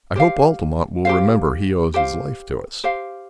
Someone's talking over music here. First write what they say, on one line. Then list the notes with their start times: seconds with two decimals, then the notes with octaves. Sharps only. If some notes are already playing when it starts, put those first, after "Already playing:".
"I hope Altamont will remember he owes his life to us?"
0.16 G4 C5 F5
1.05 G4 C5 F5
1.94 G4 C5 F5
2.84 G4 C5 F5